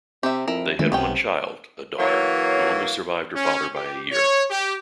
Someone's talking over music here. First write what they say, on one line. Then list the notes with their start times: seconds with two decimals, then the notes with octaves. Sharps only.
They had one child, a daughter, who only survived her father by a year.
0.23 C3 G4 E5
0.48 F2 E4 A#4
0.79 A#1 D#3 G#3 A3 E4
0.92 B1 C3 B3 C#4 G5
1.98 E3 F#3 A#3 C#5
3.34 C#4
3.74 G4
4.11 C#5
4.49 G4